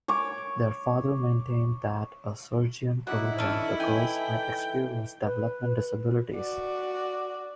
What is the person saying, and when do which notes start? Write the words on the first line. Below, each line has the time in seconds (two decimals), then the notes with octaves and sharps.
Their father maintained that a surgeon told him the girls might experience developmental disabilities.
0.08 C#5 D6
3.07 D#4 E4 F#4 F#5 B5 D6
3.38 E3 C#4 D4 A4
3.80 E3 A4 G5 G#5
5.25 B4
6.37 F#4 D5